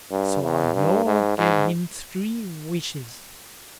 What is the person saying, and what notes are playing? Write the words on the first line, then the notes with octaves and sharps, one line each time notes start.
So our Lord gave him three wishes.
G2
E2
G2
G#2
G#2